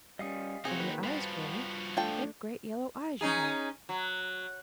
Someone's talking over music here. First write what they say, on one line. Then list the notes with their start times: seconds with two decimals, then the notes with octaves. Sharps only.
"And your eyes, Grannie; what great yellow eyes you have!"
0.19 G3 C#4 D#5 F5 D#6
0.65 C3 C4 D#4 F4 F#4 G#4
0.80 D#3 A#3 B4
1.04 G2 F3 F#4 B4 F5 A5
1.97 A3 D4 F4 A4 G5
3.21 C#4 D#4 G#4
3.89 F#3